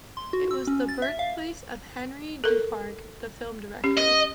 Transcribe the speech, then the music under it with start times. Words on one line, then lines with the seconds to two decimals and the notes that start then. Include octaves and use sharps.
It was the birthplace of Henri Duparc, the film director.
0.17 C6
0.33 F#4
0.51 E6
0.67 C#4
0.89 A6
1.02 E5
1.19 F5
2.44 A4 A#4
3.84 C#4 G4
3.97 D#5